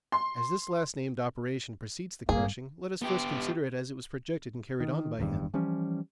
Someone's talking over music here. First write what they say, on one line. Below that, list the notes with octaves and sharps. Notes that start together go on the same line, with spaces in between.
As this last-named operation precedes the crushing, let us first consider it as it was projected and carried on by him.
C6
G#1 G2 A#3 G#4
B3 G4
D#3
F#1 E2 G2 D#3
E3 F3 G3 C#4